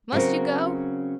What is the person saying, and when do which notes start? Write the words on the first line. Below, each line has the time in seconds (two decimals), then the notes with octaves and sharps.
Must you go?
0.12 C#3 F#3 C4 C#4 A#4